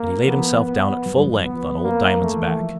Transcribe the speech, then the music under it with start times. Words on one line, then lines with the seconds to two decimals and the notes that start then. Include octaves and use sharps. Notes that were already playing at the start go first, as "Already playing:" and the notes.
And he laid himself down at full length on old Diamond's back.
Already playing: A#3
0.28 F3 B3
0.66 B3
1.06 F#2 F#3
1.16 G2 G3
1.25 F3
1.35 F#2 F#3
1.44 F3 B3
1.84 A#3
2.22 F3 A3
2.35 E3
2.48 E3
2.61 F3